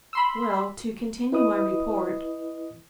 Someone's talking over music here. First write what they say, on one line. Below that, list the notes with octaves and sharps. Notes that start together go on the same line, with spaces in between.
Well, to continue my report.
B5 C6 E6
E4 B4 D#5 D#6